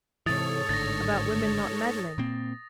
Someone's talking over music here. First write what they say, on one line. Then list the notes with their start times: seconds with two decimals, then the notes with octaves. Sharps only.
'About women not meddling.
0.26 G#2 C3 E3 A4 C#5 D#6 A6
0.69 G#1 A2 D3 A6 A#6
2.18 A#2 A#3 C4